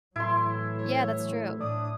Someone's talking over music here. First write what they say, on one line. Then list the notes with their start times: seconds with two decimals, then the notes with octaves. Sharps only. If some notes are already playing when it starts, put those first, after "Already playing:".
Yeah, that's true.
0.16 A2 E3 F#3 E4 C6
0.78 C#5
1.60 A2 D4 D#6